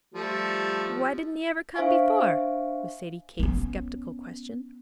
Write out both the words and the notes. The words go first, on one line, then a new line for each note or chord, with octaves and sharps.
"Why didn't he ever come before?" was Sadie Kate's skeptical question.
F3 G3 A3
D4 C5 E5 F5 G#5 C#6
B3 C#4